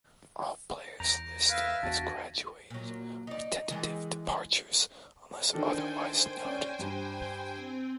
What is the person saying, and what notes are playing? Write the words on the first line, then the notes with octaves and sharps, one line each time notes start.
All players listed as "graduated" are tentative departures unless otherwise noted.
E2 A#5 G6 A#6 D7
B4 E5 F5 G#6 B6 D#7
E2 B3 D4 F#4 A5
A#2 F#3
D#4 D5
D#3 E3 G#3
D#3 D4 A4 C5 G5 G#5
C#4 D5
G2
C4